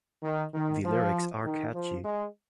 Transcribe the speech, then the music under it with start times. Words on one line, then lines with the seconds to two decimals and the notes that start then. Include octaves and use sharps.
The lyrics are catchy.
0.22 D#3
0.53 D#3
0.84 F3
1.44 D#3
1.74 F3
2.04 G#3